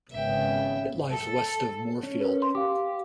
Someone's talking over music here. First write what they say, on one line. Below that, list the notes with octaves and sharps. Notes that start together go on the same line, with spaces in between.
It lies west of Moorefield.
G#1 C#3 B3 E5 G5
A4
C#4
A#4 B4
C6
G4 F5 D6